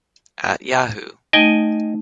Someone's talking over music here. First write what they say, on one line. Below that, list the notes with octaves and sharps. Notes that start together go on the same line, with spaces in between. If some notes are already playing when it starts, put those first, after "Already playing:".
At Yahoo!
A3 D#4 D#5 G5 G#5